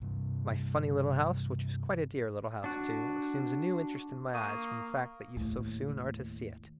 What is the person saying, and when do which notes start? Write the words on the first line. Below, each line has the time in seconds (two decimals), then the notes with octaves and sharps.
My funny little house, which is quite a dear little house too, assumes a new interest in my eyes from the fact that you so soon are to see it.
0.01 G2 C3
2.64 D4 F#4
4.34 A#3 C#6 D#6 D#7
5.37 D#2 A2